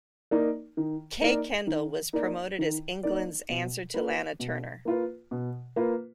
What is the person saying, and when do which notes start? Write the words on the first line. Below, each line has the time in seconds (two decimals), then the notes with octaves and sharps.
Kay Kendall was promoted as England's answer to Lana Turner.
0.31 A#3 D#4 A#4 D5
0.77 D#3
1.21 A#3 D#4 A#4 D5
1.67 D#3
2.13 A#3 D#4 A#4 D5
2.59 D#3
3.03 A#3 D#4 A#4 D5
3.49 B2
3.94 A#3 F4 B4
4.40 B2
4.85 A#3 F4 B4
5.31 B2
5.76 A#3 F4 B4